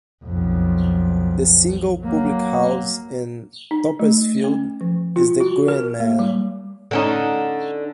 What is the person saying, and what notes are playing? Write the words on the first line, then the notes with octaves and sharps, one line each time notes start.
The single public house in Toppesfield is the Green Man.
B1 F2
F#3 A#3
D#4
A3
C#4
F3
F4
F#4
A#4
A#3
G3
D3 C#4 D#4